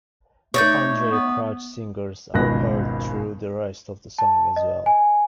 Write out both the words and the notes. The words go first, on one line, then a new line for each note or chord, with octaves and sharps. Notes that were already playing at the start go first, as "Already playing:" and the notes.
The Andrae Crouch Singers are heard throughout the rest of the song as well.
A3 D#4 C#5 D5 G6
B3
G#1 C#2 G2 B2 F#6 A#6
A5
D#5
G#5